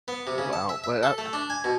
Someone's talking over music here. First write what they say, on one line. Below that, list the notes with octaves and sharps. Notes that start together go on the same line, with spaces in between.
wow, but, ah
B3
C3
C#3
A5
E5
E5
A4
A3
D4
G#5
B2